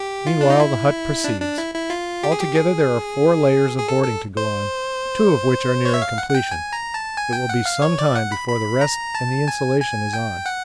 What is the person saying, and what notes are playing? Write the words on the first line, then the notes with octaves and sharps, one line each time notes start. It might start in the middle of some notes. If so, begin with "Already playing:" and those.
Meanwhile the hut proceeds; altogether there are four layers of boarding to go on, two of which are nearing completion; it will be some time before the rest and the insulation is on.
Already playing: G4
F4
D4
D#4
E4
D4
D4
E4
E4
F4
G4
G#4
G4
G#4
G#4
A4
A4
C5
C#5
E5
F5
F#5
F#5
G5
G#5
A#5
A5
G#5
G5
F#5
F5
C#5
D5
F#5
B5
B5
A#5
A5
G#5
G#5
G5
F#5